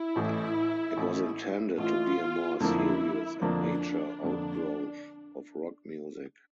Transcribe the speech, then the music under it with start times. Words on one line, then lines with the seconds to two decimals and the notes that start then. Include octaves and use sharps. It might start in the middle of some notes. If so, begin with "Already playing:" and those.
It was intended to be a more serious and mature outgrowth of rock music.
Already playing: E4
0.16 A1 A2 E3
0.97 A1 A2 E3
1.78 A1 A2 E3 F4
2.60 F2 D3 F3 A#3 E4
3.41 F2 D3 F3 A#3 D4
4.23 F2 D3 F3 A#3 D4